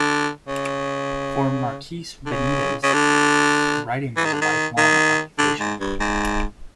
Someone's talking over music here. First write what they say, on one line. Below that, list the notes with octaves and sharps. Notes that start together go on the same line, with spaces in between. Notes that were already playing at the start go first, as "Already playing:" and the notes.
For Marquez-Benitez, writing was a lifelong occupation.
Already playing: D3
C#3
D3
C#3
C#3
D3
E3
D#3
D3
D#3
D#3
D3
G#2
G2
G#2